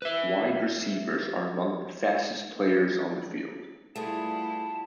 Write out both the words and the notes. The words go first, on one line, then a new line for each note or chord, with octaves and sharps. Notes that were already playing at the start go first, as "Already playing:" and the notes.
Wide receivers are among the fastest players on the field.
B4 E5
G3 A3 B3 E4 F4 G#4 A5